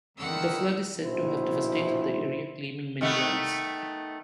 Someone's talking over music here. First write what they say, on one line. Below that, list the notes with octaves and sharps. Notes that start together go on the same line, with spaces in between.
The flood is said to have devastated the area, claiming many lives.
E2 D3 D#3 F#5 E6
A#1 B2 E4 C5
D#3 A3 B3